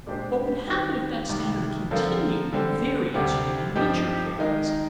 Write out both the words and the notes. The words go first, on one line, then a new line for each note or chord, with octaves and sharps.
What would happen if that standard continued would vary as human nature varies.
A#2 G#3 D4 G4 C5
D#3 G3 C4 G4
C2 C3 D#3 G3
D3 F3 C4 F4 A#4
D3 G3 C4
D2 C3 G3 C4
G2 F3 C4 D#4 G4
D#3 G#3 D#4 A#4